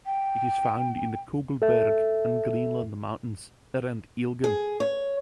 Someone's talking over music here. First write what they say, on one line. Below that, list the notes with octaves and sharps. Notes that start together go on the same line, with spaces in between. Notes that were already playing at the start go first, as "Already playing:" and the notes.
It is found in the Kogelberg and Greenland mountains around Elgin.
G5
A4 E5
G#4
C#5